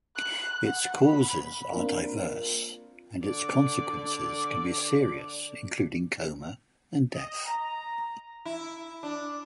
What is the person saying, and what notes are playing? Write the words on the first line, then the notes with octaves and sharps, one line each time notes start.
Its causes are diverse, and its consequences can be serious, including coma and death.
F#6
F#5
B5
A#3 C4 D4 F4 A#4
D3 D5
D#5
A#5
E4
D4